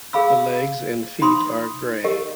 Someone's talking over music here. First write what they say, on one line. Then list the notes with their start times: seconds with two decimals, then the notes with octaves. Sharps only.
The legs and feet are gray.
0.13 G#4 F5 B5 E6
1.21 D#4 B5 C6 D#6
2.04 G4 A#4 D#5